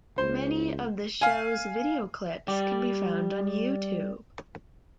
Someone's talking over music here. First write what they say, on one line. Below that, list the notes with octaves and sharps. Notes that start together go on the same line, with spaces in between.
Many of the shows video clips can be found on YouTube.
C#2 C5
F5 G#5
G3 G4